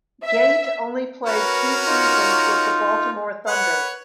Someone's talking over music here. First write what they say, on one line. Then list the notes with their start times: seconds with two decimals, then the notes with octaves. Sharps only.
Gait only played two seasons with the Baltimore Thunder.
0.24 E5
1.26 C#4 F#4 A#4 B4
1.86 D#4 F4
3.47 B4 C#5 F#5